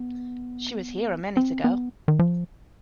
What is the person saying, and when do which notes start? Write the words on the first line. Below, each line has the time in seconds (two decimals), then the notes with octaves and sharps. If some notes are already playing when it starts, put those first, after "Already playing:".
She was here a minute ago.
Already playing: B3
1.37 C4
1.64 B3
2.08 D#3
2.19 F3